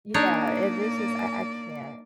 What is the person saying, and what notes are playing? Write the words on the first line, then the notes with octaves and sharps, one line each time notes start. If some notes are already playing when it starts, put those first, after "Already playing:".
Yeah, and it's just I I can't
A#3 D4 D#4 C#5 D5